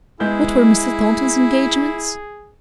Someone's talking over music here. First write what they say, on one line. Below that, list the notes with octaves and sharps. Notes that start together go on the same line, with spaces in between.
What were Mr. Thornton's engagements?
G#3 B3 E4 G#4 G6